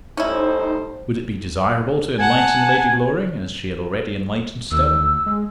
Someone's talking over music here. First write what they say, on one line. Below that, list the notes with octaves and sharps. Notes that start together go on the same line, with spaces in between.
Would it be desirable to enlighten Lady Loring as she had already enlightened Stella?
G3 A3 C#4 D#4 E4 C5
F#5 G#5 A5
D#2 E6
D2
G#3